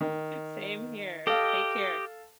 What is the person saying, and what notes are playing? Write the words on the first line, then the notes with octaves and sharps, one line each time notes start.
Same here. Take care.
D#3
G4 A4 D#5 F5